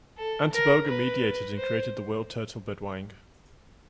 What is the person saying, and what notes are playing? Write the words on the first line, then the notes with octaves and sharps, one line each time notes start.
Antaboga meditated and created the world turtle Bedwang.
A4
A#4
B4
C5